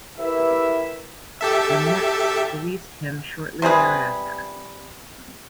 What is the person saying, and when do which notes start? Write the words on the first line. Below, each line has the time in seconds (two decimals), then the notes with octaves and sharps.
The Mets released him shortly thereafter.
0.18 E4 G4 A#4 B4 E5
1.41 G4 A4 E5
3.62 C3 G3 G#4 B4